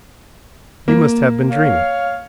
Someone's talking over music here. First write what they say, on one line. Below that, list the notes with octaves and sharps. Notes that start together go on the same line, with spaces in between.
You must have been dreaming!
A#3
C#5 F5